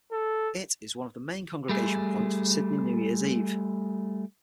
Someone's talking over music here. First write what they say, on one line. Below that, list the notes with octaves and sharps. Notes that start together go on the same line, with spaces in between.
It is one of the main congregation points for Sydney New Year's Eve.
A4
G3 A3 G#4